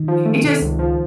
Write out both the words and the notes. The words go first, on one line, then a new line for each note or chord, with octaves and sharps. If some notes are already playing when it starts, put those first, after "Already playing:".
it just
Already playing: D#3
F3
A3
C3
C#2
F3